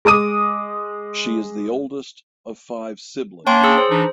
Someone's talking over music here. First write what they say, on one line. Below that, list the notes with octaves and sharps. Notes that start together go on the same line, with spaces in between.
She is the oldest of five siblings.
G#3 D6 D#6 D#7
A#3 C#4 D4 C#5 G5 C6
G#4 E6
C5
E3 D4 D#4